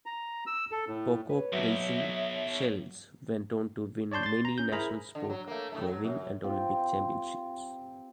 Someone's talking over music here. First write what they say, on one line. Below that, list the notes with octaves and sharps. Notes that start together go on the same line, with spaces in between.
Pocock Racing Shells went on to win many national sport rowing and Olympic championships.
A#5
E6
A4
A2
B4 C#5
B1 B2 F#3 E5
C#5 D5 A5 C6 G6
C6 A6
A#5
C#4 G6
E4 G#4 A#4 C5 A#5 B5
D3
F#3
A3 A#3
A2 C#3 A3
F#3
F#2
C4 F4 G4